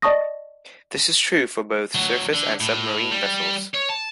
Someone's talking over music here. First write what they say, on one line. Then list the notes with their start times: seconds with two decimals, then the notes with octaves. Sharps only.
This is true for both surface and submarine vessels.
0.02 D5 D#5 A5 C#6 D#6 A#6
1.95 D2 F#3
2.34 D3
2.61 A2
3.11 G3
3.75 C#5
3.90 A5